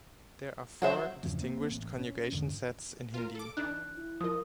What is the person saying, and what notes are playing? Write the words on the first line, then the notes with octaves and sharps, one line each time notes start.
There are four distinguished conjugation sets in Hindi.
F#3 F#4 C5 E5
E2 G2 C#3 F3
A#3 C4
A1
C#4
E2 G#2 D3 D#3
F4 A#4
A4 D6
E3 D4 D#4 F#6
E4
F3 A#4 D#5 D#6